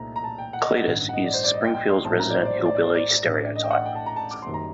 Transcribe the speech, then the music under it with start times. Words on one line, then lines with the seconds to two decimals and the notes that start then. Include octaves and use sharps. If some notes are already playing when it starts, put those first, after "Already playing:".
Cletus is Springfield's resident hillbilly stereotype.
Already playing: C2 A#2 A3 C4 D#4 A#5
0.16 A#5
0.24 A5
0.38 G5
0.53 F#5
0.61 D#5
0.69 F#5
0.84 A1 G2 D#3 G3 D4
1.09 F#5
1.13 D#5
1.24 D5
1.34 C5
1.44 D5
1.54 D#5
1.64 G5
1.74 G5
1.89 C6
2.04 A#1 A2 G3 C4 D#4 A5
2.19 A#5
2.30 D5
2.35 C5
2.45 D5
2.54 C5
2.65 D5
2.75 D5
2.86 C5
2.94 D5
3.26 A1 A2 A3 D4
3.56 D#5
3.64 G5
3.71 F#5
3.86 G5
3.95 A5
4.06 A#5
4.16 A5
4.31 D6
4.42 F#1 F#2 D#3 G3 C6
4.54 A#5